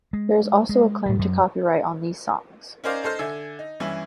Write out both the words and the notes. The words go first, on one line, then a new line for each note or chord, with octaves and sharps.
There is also a claim to copyright on these songs.
G#3
G#3
A2 G3
F#2 F#3
C#4 D#4 A#4 C5 D5 F5
D#4 A4 C5 F6
D3 E5 G#5
D#4
G2 E3 C#4 E4